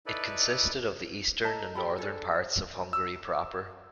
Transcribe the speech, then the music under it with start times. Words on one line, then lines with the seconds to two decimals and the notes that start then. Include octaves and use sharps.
It consisted of the eastern and northern parts of Hungary proper.
0.06 D#4 E4 A4 B4 D5
1.44 A4 D#5 A5 A#5
1.75 G4 A4 B5
1.98 D4 G#4 A4
2.34 C5
2.93 E6